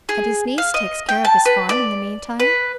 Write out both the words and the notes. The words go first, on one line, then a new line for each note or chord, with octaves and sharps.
"And his niece takes care of his farm in the meantime?"
G#4
F5
D#5
G5
A5
B4
D5
B4